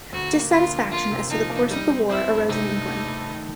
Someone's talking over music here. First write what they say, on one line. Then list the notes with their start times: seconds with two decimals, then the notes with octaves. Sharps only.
Dissatisfaction as to the course of the war arose in England.
0.13 D2 F#4
0.33 A#3
0.51 D3 F4
0.72 F3
0.91 A#3 F4
1.11 C3
1.30 F3 D#4
1.50 A#3
1.70 G3 D#4
1.90 C4
2.09 C4 E4
2.30 G2
2.49 C3 D#4
2.69 A3
2.88 A3
3.08 A3
3.28 D#3